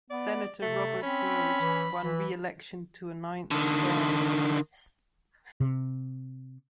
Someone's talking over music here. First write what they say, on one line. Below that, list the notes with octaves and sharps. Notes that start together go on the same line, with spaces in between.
Senator Robert Byrd won re-election to a ninth term.
B3 D5
C3 A3
C4 C#4 B5
E3
E3
D3 D#3
C3